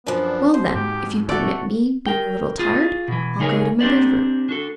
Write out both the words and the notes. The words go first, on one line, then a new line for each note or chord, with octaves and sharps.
'Well, then, if you permit me, being a little tired, I'll go to my bed-room.'
F#2 F3 B3 D4
B2 C5
G#2 G4
A3 F#4 D5
A#4 G5
F4 G#4
B2 E3
C#3 D#4 G#4 A#4 C#5
C4 D4 G4 C5 D5
D4 F#4 A4